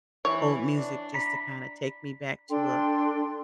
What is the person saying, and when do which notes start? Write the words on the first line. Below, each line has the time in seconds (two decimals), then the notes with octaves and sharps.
old music just to, kinda take me back to a
0.25 E3 C#5
0.75 D4
1.14 A#5 B5
2.50 D4 A4 G5 C6